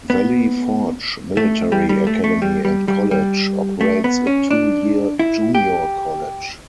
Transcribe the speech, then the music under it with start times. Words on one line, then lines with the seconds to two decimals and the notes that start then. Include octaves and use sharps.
Valley Forge Military Academy and College operates a two-year junior college.
0.10 B3
1.37 A3
1.72 G3
1.89 G3
2.07 A3
2.24 A3
2.42 G3
2.65 G3
2.88 G3
3.11 G3
3.81 A3
4.04 B3
4.27 C#4
4.51 D4
5.19 E4
5.55 G4